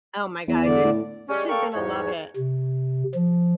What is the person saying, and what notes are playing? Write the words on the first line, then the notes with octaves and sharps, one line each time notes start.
oh my god they she's gonna love it.
E2
D3 D5
A2
G3 G#3 C#4
A4 A#4 F5 G5 C#6
E2 G#2 C#5
C3
F3